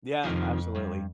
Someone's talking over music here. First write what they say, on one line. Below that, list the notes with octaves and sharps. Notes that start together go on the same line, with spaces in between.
Yeah, absolutely.
F2 C3 D#3 F3
G2